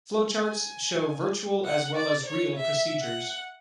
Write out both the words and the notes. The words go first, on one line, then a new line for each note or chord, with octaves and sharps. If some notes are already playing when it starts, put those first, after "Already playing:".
Flowcharts show virtual as well as real procedures.
G#5
F#5
D5
C#5
E5
F#5